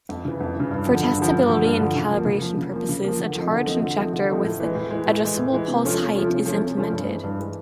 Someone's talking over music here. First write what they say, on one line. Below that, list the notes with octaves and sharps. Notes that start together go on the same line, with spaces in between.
For testability and calibration purposes, a charge injector with adjustable pulse height is implemented.
F2
C#3 E3
F2
C#3 E3
G2
D3 F3
G2
D3 F3
G2
D3 F3
G2
D3 F3
C#3
F3 A#3
C#3
F3 A#3
C#3
F3 A#3
C#3
F3 A#3
D3
F3 A3 C4 D#4
D3
F3 A3 C4 D#4
D3
F3 A3 C4 D#4
D3
F3 A3 C4 D#4
A2
E3 G#3
A2
E3 G#3
A2
E3 G#3
A2
E3 G#3
C3
F3 A3 C#4 F4
C3
F3 A3 C#4 F4
C3
F3 A3 C#4 F4
C3
F3 A3 C#4 F4
G2
E3 G#3
G2
E3 G#3